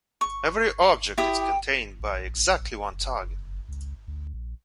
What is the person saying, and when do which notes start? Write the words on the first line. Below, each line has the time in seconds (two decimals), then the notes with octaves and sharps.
Every object is contained by exactly one target.
0.21 C#6
1.18 E4 G4 D#6
1.39 G5
2.00 A#1
2.92 F#1
3.68 C#2
4.08 D2
4.34 A#1